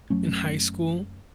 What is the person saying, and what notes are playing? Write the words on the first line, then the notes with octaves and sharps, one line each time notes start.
in high school,
F#1 F#3 A3 C#4